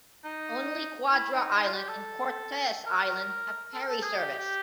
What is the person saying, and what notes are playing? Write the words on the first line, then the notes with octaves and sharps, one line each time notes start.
Only Quadra Island and Cortes Island have ferry service.
D#4
E4
D#4
D#4
F4
F#4
G4
A4
A#4
A4
A#4
A4
G#4
G4
G4